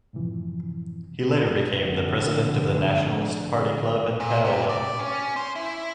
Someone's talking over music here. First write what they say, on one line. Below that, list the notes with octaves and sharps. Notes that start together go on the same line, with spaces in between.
He later became the president of the Nationalist Party club in Paola.
F#2 A2 C3 E3 F3
F1 G#2 D3 G#3 C4
A#2
C3
D5
C#4
C5
E4